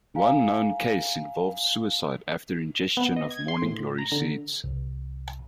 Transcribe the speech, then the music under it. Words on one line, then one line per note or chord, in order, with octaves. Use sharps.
One known case involves suicide after ingestion of morning glory seeds.
F5 G#5 A#5
B3
D#5
G#6
C6
A2
A#5
D3
C2